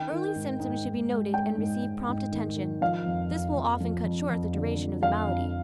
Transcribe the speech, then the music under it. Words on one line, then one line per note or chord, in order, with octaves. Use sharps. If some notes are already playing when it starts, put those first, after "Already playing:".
Early symptoms should be noted and receive prompt attention; this will often cut short the duration of the malady.
Already playing: D#3 G5
D#3
G#2
G#2
G#2
G#3
G#3 G5
G#2
G#2
G#2
D#3
D#3
F3 F5
F2
F2
F2
F3
F2
F2
D3
F2
F2 F5
F2